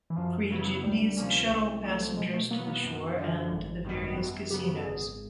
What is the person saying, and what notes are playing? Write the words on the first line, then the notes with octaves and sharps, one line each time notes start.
Free jitneys shuttle passengers to the shore and the various casinos.
E3
F#2 F3
C#3 F#3 B3 E4
D2 G3
C3 F3 A#3 C#4
C2
C3 F3 A3
B2 G#3
A3
F#3 A#3 B3
A#3
F#2 B3
D3 F3
G#1
F#2 D#3 G3 B3
F#2 F#4
C#3 F#3 B3 G4
A4
G#1 G#4